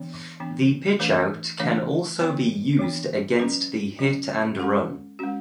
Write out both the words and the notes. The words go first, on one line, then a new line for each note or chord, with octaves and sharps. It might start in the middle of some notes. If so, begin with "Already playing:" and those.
The pitchout can also be used against the hit and run.
Already playing: E3 B3 D4
E3 B3 D4
E3 A3 D4 B4
E3 A3 D4 C#5
E3 B3 D4
E3 B3 D4
F#3 C#4 B4
F#3 C#4
G#3 C#4 A4
G#3 C#4 F#4